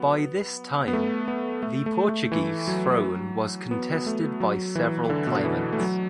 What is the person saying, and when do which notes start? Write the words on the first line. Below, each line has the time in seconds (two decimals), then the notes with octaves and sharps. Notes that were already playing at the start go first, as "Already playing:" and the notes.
By this time, the Portuguese throne was contested by several claimants.
Already playing: F#3 B3
0.88 B3
0.93 A3
1.28 B3
1.63 A3
1.86 A3
2.09 A3
2.32 E3
2.67 F#3
3.71 B3
3.95 B3
4.06 A3
4.40 F#3
4.75 E3
5.10 D3
5.27 B2
5.37 D3
5.45 E3
5.73 A3
5.80 F#3